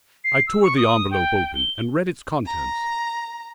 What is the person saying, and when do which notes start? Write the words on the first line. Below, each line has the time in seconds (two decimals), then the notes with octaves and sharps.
I tore the envelope open and read its contents.
0.24 C7
0.47 E6
0.62 C#6
0.77 D#6
1.11 G5
1.55 G7
2.44 A#5